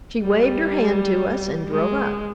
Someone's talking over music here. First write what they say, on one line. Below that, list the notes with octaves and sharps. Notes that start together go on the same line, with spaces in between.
She waved her hand to us and drove up.
G3
G#3